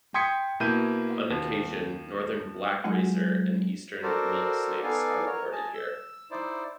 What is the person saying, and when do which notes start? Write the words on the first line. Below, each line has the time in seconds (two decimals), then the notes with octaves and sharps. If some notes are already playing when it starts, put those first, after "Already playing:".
On occasion northern "black" racer and eastern milksnakes are reported here.
0.14 G5 C6 D#6 G#6 B6 C#7
0.60 B2 A#3 E4 G6 D#7
1.30 D#2
2.84 F#3 G#3 D#4 F4 F#5
4.03 F#4 A4 A#4 C5 D5
4.83 B3 D#4 A4 D5 F5 G#5
5.26 A#4 C#5
5.52 D#5 G#5 A5
5.74 E6
6.31 D#4 E4 C5 D5